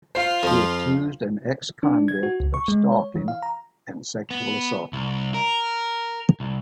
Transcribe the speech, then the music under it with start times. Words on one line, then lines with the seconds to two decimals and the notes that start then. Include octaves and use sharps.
She accused an ex-convict of stalking and sexual assault.
0.15 F4 C5 F5
0.43 F2 F3
1.83 D4
2.08 G#6
2.23 F#4
2.40 C#2
2.54 C#6
2.68 G#3
2.92 C#5
3.15 E3
3.28 F5
3.43 A#5
4.31 B3
4.93 C2
5.34 A#4
6.40 C2